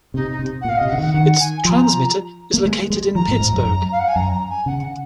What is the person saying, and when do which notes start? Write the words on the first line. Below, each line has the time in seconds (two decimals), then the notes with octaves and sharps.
Its transmitter is located in Pittsburgh.
0.14 C3 D#4
0.31 D#4
0.39 C3
0.61 F#5
0.64 A#2
0.69 F5
0.77 C3 D#5
0.89 C#3 F#5
0.98 D#3
1.02 F#5
1.14 D#3 F#5
1.39 G#5
1.65 F3 C6
1.69 A#5
2.54 A#3
2.65 G#3
2.90 G#3
3.15 F3 A#5
3.28 G#2
3.40 G#2
3.53 F#2
3.65 F#2
3.91 F5
3.99 F#5
4.08 G#5
4.16 F#2 A#5
4.32 A#5
4.49 G#5
4.66 C#3 F#5
4.82 F#5